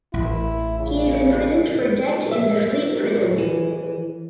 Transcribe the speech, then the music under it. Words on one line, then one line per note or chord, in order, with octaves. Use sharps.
He is imprisoned for debt in the Fleet Prison.
A1 E4
C#3
E5
E3